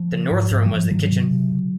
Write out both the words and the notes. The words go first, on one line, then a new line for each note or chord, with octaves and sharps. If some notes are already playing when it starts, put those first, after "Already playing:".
The North room was the kitchen.
Already playing: F3
C#3
G#2
G#2
F#3
G#2 F3
G#2 D#3 F#3
C3
C3
C#3